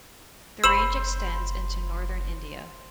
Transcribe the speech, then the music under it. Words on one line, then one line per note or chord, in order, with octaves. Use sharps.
The range extends into northern India.
F#1 C5 B5 E6 E7 F#7